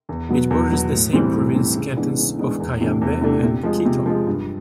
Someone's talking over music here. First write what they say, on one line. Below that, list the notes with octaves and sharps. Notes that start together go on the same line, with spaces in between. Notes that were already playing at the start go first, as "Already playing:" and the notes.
It borders the same-province cantons of Cayambe and Quito.
E2
B2 F#3 B3
E2
B2 F#3 B3
A2
E3 G3 C4
A2
E3 G3 C4
C#3
E3 G#3 B3 D4
C#3
E3 G#3 B3 D4
E2
C3 E3 A3 D4
E2
C3 E3 A3 D4
C3
F3 G#3
C3
F3 G#3
G2